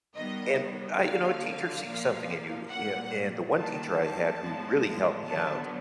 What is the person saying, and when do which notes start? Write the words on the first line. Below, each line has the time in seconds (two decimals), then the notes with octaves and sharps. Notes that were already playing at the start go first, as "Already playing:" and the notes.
and I you know, a teacher sees something in you, you know, and the one teacher I had who really helped me out,
0.14 D#3 G3 B3 D#5
0.99 D3 F#3 A#3 F5
1.84 A#2 F3 A#3
2.69 A#2 G3 A#3 F#5
3.55 D#3 G3 A#3 A5
4.40 A2 F3 G#3 B3
5.25 D3 F#3 B3 A5